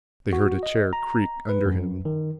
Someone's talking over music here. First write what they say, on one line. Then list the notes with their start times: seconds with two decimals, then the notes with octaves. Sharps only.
They heard a chair creak under him.
0.33 F#4
0.63 D#5
0.93 A#5
1.49 B4
1.65 F#2
2.05 D#3